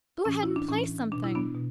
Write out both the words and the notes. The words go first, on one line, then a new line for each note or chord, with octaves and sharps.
"Go ahead and play something."
A2 E3 C#4
E4
D4
A2 E3 C#4
B2 D4
E4
B3 D4
B2